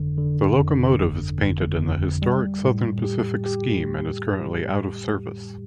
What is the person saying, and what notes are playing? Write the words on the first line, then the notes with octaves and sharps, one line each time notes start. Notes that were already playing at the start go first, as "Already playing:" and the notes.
The locomotive is painted in the historic Southern Pacific scheme and is currently out-of-service.
Already playing: G1 F2 D3
D3
F2
G1
F2
F2
G3
A2
G4
G4